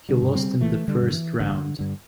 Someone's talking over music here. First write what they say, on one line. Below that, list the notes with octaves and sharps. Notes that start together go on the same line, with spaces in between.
He lost in the first round.
D3 G3
G2 D3
G3 C4
A1 E3 A3
D3 G3
G2 D3
E3
A1 D3
G2 D3